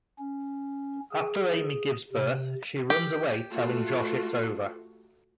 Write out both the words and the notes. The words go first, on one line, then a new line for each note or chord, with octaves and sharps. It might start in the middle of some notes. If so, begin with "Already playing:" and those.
After Amy gives birth she runs away telling Josh its over.
C#4
G#4
C3
G4
A3 F4 F#4